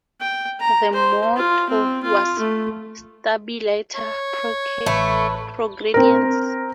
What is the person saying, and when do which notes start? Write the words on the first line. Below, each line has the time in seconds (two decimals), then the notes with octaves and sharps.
The motto was "Stabiliter progrediens".
0.21 G5
0.60 A#5
0.93 C5
1.36 F4
1.70 C4
2.03 F4
2.39 A3
3.95 C#5
4.86 A1 A3 B4 C#6
5.94 C4 A#4